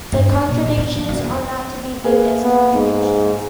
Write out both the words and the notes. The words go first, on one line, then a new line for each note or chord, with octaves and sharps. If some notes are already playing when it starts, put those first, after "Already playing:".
The contradictions are not to be viewed as contradictions.
G2
D4
A#2
A1
B3
F3
F#2
E2
A#3 G#4 B4
B3
G#2